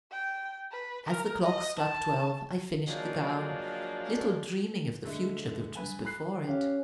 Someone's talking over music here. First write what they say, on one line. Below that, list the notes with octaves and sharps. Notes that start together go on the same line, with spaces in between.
As the clock struck twelve I finished the gown, little dreaming of the future that was before it.
G5
B4
A#4
D#5
A5
F3 F#3 G#3 A#3 D4
D3 G#3 A3
G2 B4 G#5
B5 F#6 C7
C#4 G4 F5